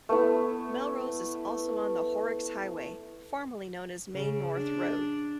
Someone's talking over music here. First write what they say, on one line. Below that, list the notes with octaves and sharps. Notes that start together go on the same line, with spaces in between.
Melrose is also on the Horrocks Highway, formerly known as Main North Road.
A3 B3 E4
C#3
D4